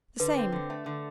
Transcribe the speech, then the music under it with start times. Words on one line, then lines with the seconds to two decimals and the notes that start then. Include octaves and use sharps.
"The same."
0.20 D3 B4
0.37 C4
0.52 D3
0.70 A3
0.86 D3